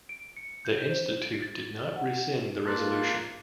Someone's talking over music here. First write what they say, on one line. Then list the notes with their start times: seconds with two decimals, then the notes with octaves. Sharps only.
The Institute did not rescind the resolution.
0.09 D7
0.37 C#7
0.65 G6
0.88 C5
1.22 D7
1.42 A6
1.96 F#5
2.65 A#3 F4 A5 F#6